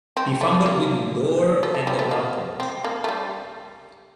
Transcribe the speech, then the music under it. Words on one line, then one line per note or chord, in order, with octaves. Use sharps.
He fumbled with the door at the bottom.
C4
A3
A#3
A3
A3
G3
A3
A#3
C4
A#3
A3
G3